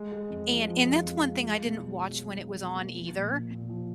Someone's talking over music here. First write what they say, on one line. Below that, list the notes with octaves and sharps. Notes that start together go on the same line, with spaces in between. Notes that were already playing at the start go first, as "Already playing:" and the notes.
and and that's one thing I didn't watch when it was on either,
Already playing: G#3
G#3
F2
F3
F3
F2
F2
G#3
F4
B2
F4
F#3
F#3
F#3
B2
A#3
F3
A#2
A#2
A#2
F3